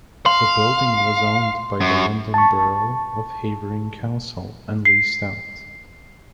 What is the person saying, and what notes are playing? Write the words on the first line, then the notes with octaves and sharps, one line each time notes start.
The building was owned by the London Borough of Havering Council and leased out.
F5 C6
F#2
A5 C#6
C7